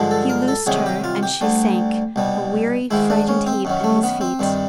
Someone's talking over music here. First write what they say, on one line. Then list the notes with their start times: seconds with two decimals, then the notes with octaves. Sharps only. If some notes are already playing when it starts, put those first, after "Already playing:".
He loosed her and she sank, a weary, frightened heap, at his feet.
Already playing: G2 D3 F3 G#3
0.11 A4
0.29 A#4
0.48 A4
0.66 C2 C3 D#3 F#3 G#4
0.86 G4
1.04 F4
1.23 G4
1.41 D2 D3 G3
2.16 C2 B2 G3
2.91 G#2 D#3 G#3 E4
3.10 D4
3.28 C#4
3.47 C4
3.65 F#2 D#3 F#3
3.84 A3
4.03 B3
4.21 C4
4.39 G2 D#3 G3